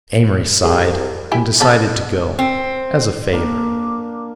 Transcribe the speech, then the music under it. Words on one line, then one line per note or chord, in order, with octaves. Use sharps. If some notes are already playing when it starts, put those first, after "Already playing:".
Amory sighed and decided to go, as a favor....
C2 G#4
E4 G4 G#5
B3 C#4 A4
C4
A#3 D4